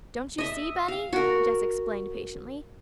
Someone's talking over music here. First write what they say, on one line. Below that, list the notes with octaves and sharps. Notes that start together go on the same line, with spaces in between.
"Don't you see, Benny?" Jess explained patiently.
D#5 E5
F5
F#4 A#4